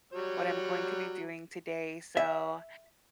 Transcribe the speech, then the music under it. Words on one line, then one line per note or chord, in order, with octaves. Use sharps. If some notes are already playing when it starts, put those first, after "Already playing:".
what I'm going to be doing today, so,
F#3 G3 C#5
E5